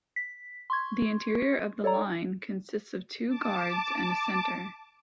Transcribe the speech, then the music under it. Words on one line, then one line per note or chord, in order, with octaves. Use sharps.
The interior of the line consists of two guards and a center.
B6
C6 C#6 G#6
A4 C#5 D5 A#5
A5 D6